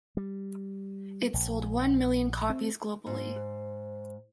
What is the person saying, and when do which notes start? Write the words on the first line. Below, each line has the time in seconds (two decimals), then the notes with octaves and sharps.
It sold one million copies globally.
0.17 G3
1.34 A#1
2.50 C4
3.06 G#2 C5